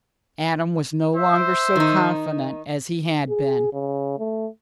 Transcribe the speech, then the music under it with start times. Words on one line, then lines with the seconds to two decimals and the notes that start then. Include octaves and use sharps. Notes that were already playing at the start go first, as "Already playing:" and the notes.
Adam was no longer so confident as he had been.
1.16 C5 E5
1.76 D#3 D#4
3.29 G#4
3.73 C#3
4.19 A3